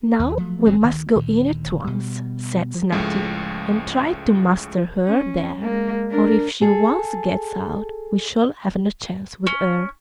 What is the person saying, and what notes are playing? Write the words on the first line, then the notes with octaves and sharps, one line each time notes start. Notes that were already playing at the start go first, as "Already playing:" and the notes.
'Now we must go in at once,' said Snati, 'and try to master her there, for if she once gets out we shall have no chance with her.
D#2
F3 F#3 A3
G#1 E3 F#3 C4
D2 D#3
D2 A#2 D#3
B2 G3
C#2 A2 F3 G#3 A3
C#4
G#3 A#3
D4 A#4
G#4 A4
C#4